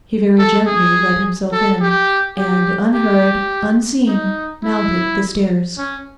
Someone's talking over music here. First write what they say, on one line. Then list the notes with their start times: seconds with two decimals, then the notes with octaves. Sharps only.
He very gently let himself in, and unheard, unseen, mounted the stairs.
0.38 A4
0.66 G#4
1.52 A4
1.81 G4
2.37 G4
2.93 G4
4.08 D#4
4.63 E4
5.78 C#4